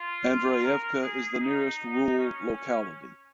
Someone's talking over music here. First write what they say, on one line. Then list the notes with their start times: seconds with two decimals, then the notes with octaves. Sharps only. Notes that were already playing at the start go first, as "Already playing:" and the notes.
Andreyevka is the nearest rural locality.
Already playing: F4
0.63 A#4
1.02 G#4
1.41 D#4
2.18 C#4